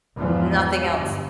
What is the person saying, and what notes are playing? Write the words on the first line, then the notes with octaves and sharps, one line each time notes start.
Nothing else.
E2 G#2 E3 F3
G1